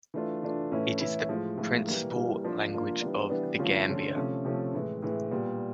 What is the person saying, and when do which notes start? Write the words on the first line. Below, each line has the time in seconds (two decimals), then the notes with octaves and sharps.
It is the principal language of the Gambia.
0.14 E3 A3 D4 F4
0.43 E3 A3 D4 F4
0.72 A2 E3 A3 C#4 E4
1.00 A2 E3 A3 C#4 E4
1.29 A2 F3 G#3
1.57 A2 F3 G#3
1.86 E3 G3 A#3
2.15 E3 G3 A#3
2.44 F3 A#3 D4 F4
2.73 F3 A#3 D4 F4
3.01 E3 G3 B3 D4
3.29 E3 G3 B3 D4
3.59 D3 F3 A3 C#4 F4
3.87 D3 F3 A3 C#4 F4
4.16 C3 F3 A3 C#4
4.45 C3 F3 A3 C#4
4.74 A2 E3 G#3
5.02 A2 E3 G#3
5.31 A#2 G3 B3